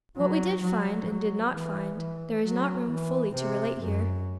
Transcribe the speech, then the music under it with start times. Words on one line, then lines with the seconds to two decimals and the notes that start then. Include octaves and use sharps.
What we did find, and did not find, there is not room fully to relate here.
0.17 F#3
0.62 F#3
1.08 F#3
1.54 E3
1.98 E3
2.45 F#3
2.90 E3
3.35 C3
3.81 F#2